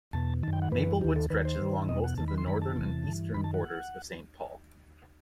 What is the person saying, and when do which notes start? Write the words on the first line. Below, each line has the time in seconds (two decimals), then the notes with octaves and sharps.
Maplewood stretches along most of the northern and eastern borders of Saint Paul.
0.13 E2 B2 A5
0.43 D#3 A5
0.48 F#2
0.53 G5
0.62 F#5
0.72 F#2 E3 B4
1.01 D#2 D#3 G4
1.16 A4
1.30 D#2 D#3 B4
1.45 C5
1.59 G2 D#3
1.89 E2 B2 D#5
2.04 F#5
2.18 E2 D#3 A5
2.28 B5
2.38 C6
2.47 F#2 D#3 B5
2.62 A5
2.76 E2 C3 E3
3.05 G2 E3
3.34 F#2 D#3 B5
3.44 A5
3.54 F#5